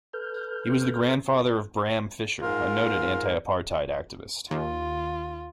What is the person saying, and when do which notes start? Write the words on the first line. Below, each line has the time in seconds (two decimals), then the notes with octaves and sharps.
He was the grandfather of Bram Fischer, a noted anti-apartheid activist.
0.13 A4 B4 F6 G6
2.42 G#2 F4 A#4
4.51 D#2 F4